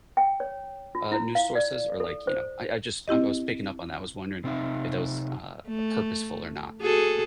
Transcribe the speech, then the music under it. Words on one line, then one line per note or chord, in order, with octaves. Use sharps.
uh, news sources? Or like, you know I I just I was picking up on that, I was wondering if that was, uh, purposeful or not.
G5
C#5
F4
E4
F5
D5
A4
C5
C4 E4 G4 D#5
C3 C4 D#4 E5
A3
F#4 G#4 A4